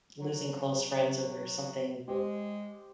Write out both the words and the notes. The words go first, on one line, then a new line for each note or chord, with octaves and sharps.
losing close friends over something
F#3
G#3 G4 C5